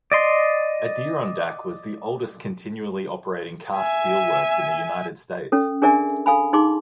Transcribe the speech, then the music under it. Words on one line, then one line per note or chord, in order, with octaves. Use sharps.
Adirondack was the oldest continually operating cast-steel works in the United States.
D5 D#5 C6
E5 G#5
C#4 A4
D4 G#4 A#4 D5 E5 G#5
A4 F5 G#5 B5
D#4 G#4 C6 D6